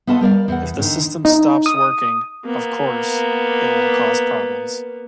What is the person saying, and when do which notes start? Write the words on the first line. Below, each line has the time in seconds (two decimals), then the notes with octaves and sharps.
If the system stops working, of course, it will cause problems.
0.07 B3 F4 A4 D#5 A5
0.21 G3 A#4 D5 F5
0.48 E2 F#5
0.78 D#2 D3 D#3
1.25 D#4
1.66 D#6
2.45 A#3 B3